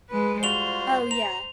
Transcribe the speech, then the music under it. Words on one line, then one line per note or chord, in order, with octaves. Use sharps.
Oh, yeah.
G#3 B4
G3 F4 F#4 C5 F7 G7
A#5 F7